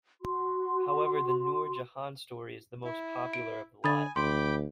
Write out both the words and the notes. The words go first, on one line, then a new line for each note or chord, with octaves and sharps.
However, the Noor Jahan story is the most popular of the lot.
F#4 C6
E4
D7
D3 G#5 B5 D#6 A6
D2 G5 B5 C6 D6